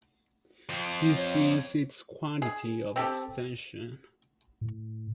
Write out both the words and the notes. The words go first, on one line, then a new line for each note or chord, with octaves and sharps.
This is its quantity of extension.
F2 C4
C#5
G#4
C4 G4 A4
A2